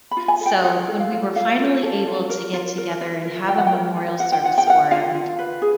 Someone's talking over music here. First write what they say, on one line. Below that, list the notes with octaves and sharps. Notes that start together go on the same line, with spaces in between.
so when we were finally able to get together and have a memorial service for him
B5
F4
G#5
A4
G5
F4 F#5
A4
F5
F4
A4 F5
F4
A4
F4
A#4
F4
A#4
F4
A#4
F4 G5
F#5
G5
A#4
F4
A#4 F#5
G5
F4 F#5
G5
A#4 F#5
F4 F5
F4
B4
G#4